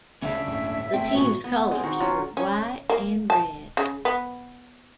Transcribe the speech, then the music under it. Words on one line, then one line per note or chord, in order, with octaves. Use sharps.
The team's colors were white and red.
D2 C#3 C#4 D4 E5 F5
D1 G1 A2
G#1 A3 C4 G5
A#2 B3 F#4
B3
G#3 C4
D#3 F#4
F#3 C#4 F4
C#4
A#3
A5
C#3
B3